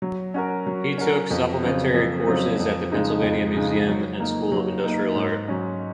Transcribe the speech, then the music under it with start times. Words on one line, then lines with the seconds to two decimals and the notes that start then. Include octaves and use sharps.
He took supplementary courses at the Pennsylvania Museum and School of Industrial Art.
0.02 F#3
0.34 C#4 F#4 A#4
0.67 F#3
0.98 C#4 F#4 A#4
1.30 F2
1.63 C#3 F#3 C4
1.94 F2
2.27 C#3 F#3 C4
2.59 F2
2.92 C#3 G#3 D#4
3.23 F2
3.55 C#3 G#3 D#4
3.87 F#3
4.20 A#3 D#4
4.52 F#3
4.84 A#3 D#4
5.15 G#2
5.48 F#3 C#4